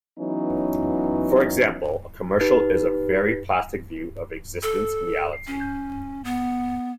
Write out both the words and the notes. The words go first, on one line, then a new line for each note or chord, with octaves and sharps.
For example, a commercial is a very plastic view of existence and reality.
E3 F#3 B3 C#4 D#4
D#4 G4 B4
A4
C#4
B3